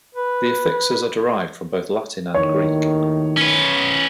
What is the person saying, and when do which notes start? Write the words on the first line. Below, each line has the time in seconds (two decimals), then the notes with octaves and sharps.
The affixes are derived from both Latin and Greek.
0.15 B4
2.34 D#2 A2 D#3 C#5
3.37 C#4 B4